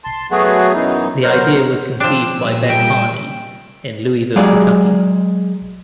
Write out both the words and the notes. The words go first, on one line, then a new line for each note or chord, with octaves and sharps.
The idea was conceived by Ben Harney, in Louisville, Kentucky.
A5 C6
F#3 A3 B3 F#4 G#4
F#2 B2 E3 D#4
B2 F#3 A#4 C5
F3 D4 G5 C6 E6
A#2 G3 G#5 E6
E5 G5
F#3 G#3 G#4 D5 F5